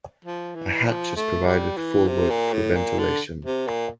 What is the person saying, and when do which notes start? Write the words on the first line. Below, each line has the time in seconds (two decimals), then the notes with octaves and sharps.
A hatch is provided forward for ventilation.
0.25 F3
0.55 E3
0.86 F3
1.16 A3
1.46 G3
1.77 E3
2.07 C3
2.30 A#2
2.53 A2
2.76 A#2
2.99 D3
3.45 C3
3.67 A#2